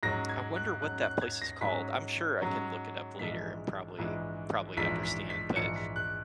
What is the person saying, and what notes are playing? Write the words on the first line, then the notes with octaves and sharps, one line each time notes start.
I wonder what that place is called, I'm sure I can look it up later and probably probably understand, but,
G#2 F#3 C#4 A#6
G#6
F#6
G#2 F#3 C#4 F#6
F#6
G#6
A#6
G#2 F#3 C#4 B6
G#2 F#3 C#4
A#1 G#2 E3 G#3 B6
A#1 G#2 E3 G#3
A#1 G#2 E3 G#3 B6
B6
B6
A#1 G#2 E3 G#3 C#7
B6
F#6